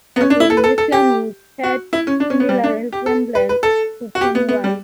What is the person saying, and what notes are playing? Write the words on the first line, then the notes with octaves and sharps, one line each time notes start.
Again this clown would shared similar resemblance to Pennywise.
B3
C#4
D4
E4
A4
B4
A4
A4
G4
F#4
E4
C#4
D4
C#4
B3
G3
D4
G4
A4
B4
B4
A4
F#4
G4
B3
B3
G3